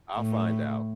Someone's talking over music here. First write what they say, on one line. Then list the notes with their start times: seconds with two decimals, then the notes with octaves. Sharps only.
I'll find out.
0.17 A2